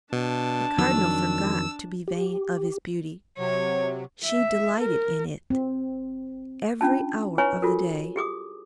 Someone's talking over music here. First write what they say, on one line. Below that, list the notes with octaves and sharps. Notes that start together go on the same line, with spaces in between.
The Cardinal forgot to be vain of his beauty; she delighted in it every hour of the day.
B2 D4 A5
F2 D#3 F#3 E6
G4
C3 F#3 C#5
E5
A#4
C4
C#4 D4 F4 A5
E4 B4 C#5 G#5 C6 C#6
F4 F#4 A4 A#4
G4 G#4 D6 D#6